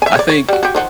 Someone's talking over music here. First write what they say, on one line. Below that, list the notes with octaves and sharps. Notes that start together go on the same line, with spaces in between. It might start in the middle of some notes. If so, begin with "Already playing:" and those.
I think
E5 G#5
C#5 D5
C#5
G3 F#4
F#4 G4
D#3 F3 F#5